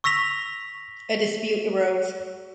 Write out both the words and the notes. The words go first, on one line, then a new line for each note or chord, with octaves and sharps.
A dispute arose.
C#6 E6 A#6 B6 F7